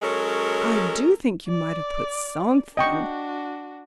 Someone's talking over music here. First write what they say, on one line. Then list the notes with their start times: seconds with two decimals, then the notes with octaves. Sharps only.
"I do think you might have put something."
0.02 F#3 G#3 C#4 A4 A#4
1.48 D5
2.77 D4 F#4 D#5 G5 C#6